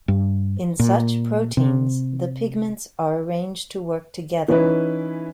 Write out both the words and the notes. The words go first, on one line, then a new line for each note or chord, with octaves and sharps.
In such proteins, the pigments are arranged to work together.
G2
A#2
C3
E3 C#4 D#4 E4 B4